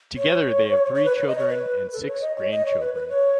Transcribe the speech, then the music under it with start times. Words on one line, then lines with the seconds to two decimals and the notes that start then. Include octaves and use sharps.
Together they have three children and six grandchildren.
0.17 C#5
0.95 C#5
1.05 B4
1.16 C#5
1.27 D#5
1.38 C#5
1.49 B4
1.93 A4
2.03 B4
2.07 C#5
2.22 D#5
2.36 C#5
2.50 D#5
2.66 C#5
2.80 B4
2.94 B4
3.09 C#5